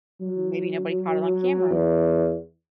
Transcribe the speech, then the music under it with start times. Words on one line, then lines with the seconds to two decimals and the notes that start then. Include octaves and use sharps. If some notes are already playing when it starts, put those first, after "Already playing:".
Maybe nobody caught it on camera.
0.21 F#3
1.71 E2